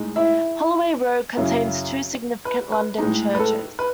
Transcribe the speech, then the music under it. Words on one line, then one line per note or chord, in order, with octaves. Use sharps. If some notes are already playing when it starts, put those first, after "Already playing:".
Holloway Road contains two significant London churches.
Already playing: A2 G#3 D#4
E4 E5
F#2 C#3 F#3 C#4 E4
B4
B4
A2 G#3 D#4
B4
A4
B4